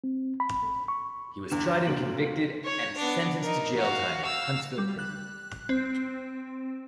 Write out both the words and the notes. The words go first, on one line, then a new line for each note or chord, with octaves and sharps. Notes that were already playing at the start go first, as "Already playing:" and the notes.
He was tried and convicted and sentenced to jail time in Huntsville Prison.
C4
B5
C#6
E2 G2 D3 E7
F1 A#2 D3 F#4 D7 F#7
C#5
B3 D4
D#4 A#4
F#4 F5
F5 E6
G3
F#6
C4